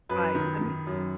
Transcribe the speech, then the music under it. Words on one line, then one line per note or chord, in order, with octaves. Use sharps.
Right. I mean
F#2 B4
D#3
D#3
F#2